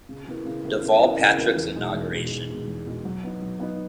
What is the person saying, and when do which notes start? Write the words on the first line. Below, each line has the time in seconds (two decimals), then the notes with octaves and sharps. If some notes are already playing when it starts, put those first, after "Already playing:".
Deval Patrick's inauguration.
0.09 C#3
0.27 E3 B3 E4 A#4
0.45 C#3
0.64 E3 B3 E4 A#4
0.82 C#3
1.00 E3 B3 E4 A#4
1.19 C#3
1.38 E3 B3 E4 A#4
1.56 E2
1.75 B2 G#3 D#4
1.94 E2
2.12 B2 G#3 D#4
2.31 E2
2.49 B2 G#3 D#4
2.67 E2
2.86 B2 G#3 D#4
3.05 F#3
3.23 B3 D#4
3.42 F#3
3.60 B3 D#4